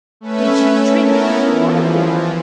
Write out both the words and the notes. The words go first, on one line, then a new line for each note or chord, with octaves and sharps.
"Did she drink of the water there?"
A3 C#4 B4 E5
B3 C#4 E4 A4 A#4
E3 F3